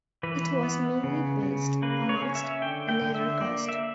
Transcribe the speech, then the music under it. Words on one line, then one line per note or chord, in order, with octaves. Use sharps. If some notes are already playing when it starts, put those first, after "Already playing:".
It was mainly based amongst the Nadar caste.
E3 B4
B3
C#3
C#3
A#3 B4
C#5
C#4
E5
D3 G5
G5
D3
E5
A#3 D5
E5